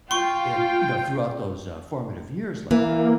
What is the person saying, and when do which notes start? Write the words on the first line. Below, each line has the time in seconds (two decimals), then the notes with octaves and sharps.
and, you know, throughout those, uh, formative years like that,
0.11 F4 G5 C6 C#6
2.71 E3 A#3